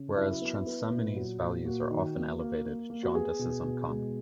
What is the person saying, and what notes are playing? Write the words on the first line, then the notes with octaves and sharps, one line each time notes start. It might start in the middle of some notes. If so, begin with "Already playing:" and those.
Whereas transaminase values are often elevated, jaundice is uncommon.
Already playing: C#3
F#3 E4
B3
B3
A#2
F#3
A#2
A#3 F#4
D#3
A#3
A#3
A#3
A#3
F#4
B3 G#4
B2
B2
G#3